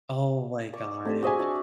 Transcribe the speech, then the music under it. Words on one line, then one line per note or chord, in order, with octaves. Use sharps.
Oh my gosh.
D5 C#6 D6
A3 C4 D4 G4
F#4 G#4 C5 D#5 E5 G#5
D4 F#4 D5